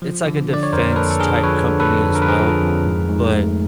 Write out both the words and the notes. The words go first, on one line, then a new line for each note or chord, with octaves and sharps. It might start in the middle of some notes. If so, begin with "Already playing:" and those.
it's like a defense-type company as well, but,
F3
D3
D3 D5
C#5
F2 A#4 C5
A#4
A#3 A4 B4
A4
D3 G#4 A#4
F3 B4 C#5
D3
A4 B4
F2
D3 A#4
B4
G#4 A#4
F3
F2
G#2
G#2
A3